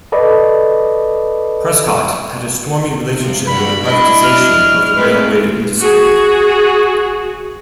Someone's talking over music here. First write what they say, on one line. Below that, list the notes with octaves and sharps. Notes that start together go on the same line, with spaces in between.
Prescott had a stormy relationship with the privatisation of the railway industry.
A4 B4 D5 D#5 B5
C3 F3
G2 F#4 B5
D4 E4 D#5
F6
G#3 A3 C4 B4
F#4 G#4